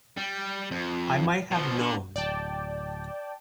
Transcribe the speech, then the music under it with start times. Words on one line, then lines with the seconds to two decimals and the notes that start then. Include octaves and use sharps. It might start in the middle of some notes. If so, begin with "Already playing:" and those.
I might have known.
0.17 G3
0.71 F2
1.51 B2 F3
1.79 D3
2.16 D1 D5 G5 A5